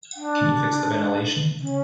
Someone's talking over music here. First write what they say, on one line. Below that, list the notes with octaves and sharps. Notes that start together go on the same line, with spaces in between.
Can you fix the ventilation?
D4
C#4